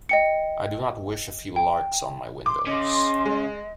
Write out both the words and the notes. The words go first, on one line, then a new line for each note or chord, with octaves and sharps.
I do not wish a few larks on my windows.
D#5 G5 C#7
G5
C6 D6
C#3 D#5 C6
G#3